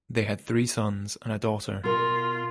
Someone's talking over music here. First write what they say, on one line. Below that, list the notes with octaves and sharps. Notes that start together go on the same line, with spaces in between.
They had three sons and a daughter.
B2 F4 A#4